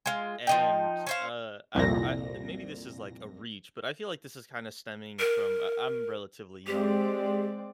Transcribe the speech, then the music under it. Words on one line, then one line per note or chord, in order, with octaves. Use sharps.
And, uh, I don't I maybe this is, like, a reach, but I feel like this is kinda stemming from I I'm relatively young.
G#3 F4
F3 D#4 G5
C#4 C5 F5
C2 F2 A#2 A#6
A#4
G#3 C4 G4 D5